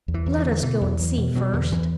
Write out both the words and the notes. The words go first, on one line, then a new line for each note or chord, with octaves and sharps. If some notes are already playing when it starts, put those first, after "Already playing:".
"Let us go and see first."
E2
E3
E2
E3
D3
B2 E3
E2
E2
B2
B2 F#3
E2 D3
E2 E3